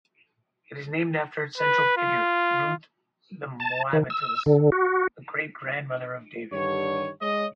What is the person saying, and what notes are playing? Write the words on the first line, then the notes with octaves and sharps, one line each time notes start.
It is named after its central figure, Ruth the Moabitess, the great-grandmother of David.
B4
F4
A5
D#3
E6
D3
F#4
G2 D3 D#3 G4 C#5
G#3 C#5 D#5